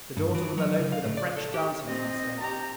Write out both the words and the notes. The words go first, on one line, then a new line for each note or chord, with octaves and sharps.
The daughter will elope with a French dancing-master.
G2
E3
F#3
C#3
F5
A2
D5
A4
G4
C4 D#5
G4 A#5